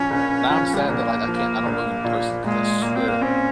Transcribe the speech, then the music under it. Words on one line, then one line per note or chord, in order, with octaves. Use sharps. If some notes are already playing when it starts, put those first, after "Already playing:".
Now I'm sad that, like, I can't I don't know you in person, 'cause I swear,
Already playing: A#1 F3 C#4
A#1
F3
G3
G#3
A#1 A#3
F3
A#1
A#2
A#2 G#3
A#2 A#3
C4
A#3
C4 C#4